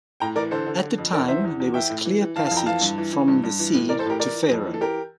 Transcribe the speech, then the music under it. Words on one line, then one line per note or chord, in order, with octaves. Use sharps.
At the time there was clear passage from the sea to Farum.
A2 G5 A#5
E3 A#4 D5
D3 A4 C5
D3
D3
F2
E2 A#4 D5
E3 C5 E5
E2
E2
E3 E5 G5
A2
E3
E3
E3 F5 A5
F5 A5
F2
G5 A#5
E3 F5 A5
G2
E3
E3
G2
G2
E3
A2
E3 A#4 D5
A4 C5
A2 G4 A#4
E3 A#4 D5
E3
F2
E3
A4
E3 G4 A#4